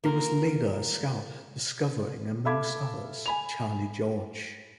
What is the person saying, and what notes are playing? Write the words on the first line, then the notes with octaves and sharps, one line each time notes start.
He was later a scout, discovering, amongst others, Charlie George.
A#3 F4 A#4
A4 E5 F5 B5 D6 G#6
G#5 B5 F7